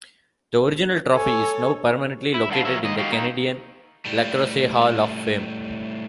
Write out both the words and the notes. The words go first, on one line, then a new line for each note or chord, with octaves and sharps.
The original trophy is now permanently located in the Canadian Lacrosse Hall of Fame.
A4 C#5 G#5
E4
G2 D3 F#4 F5 A5
F3 A#4 C#5 E5
D#3 A#3 D#5
D#4 F#4 G4 F5
A#3 D#4
A2 G3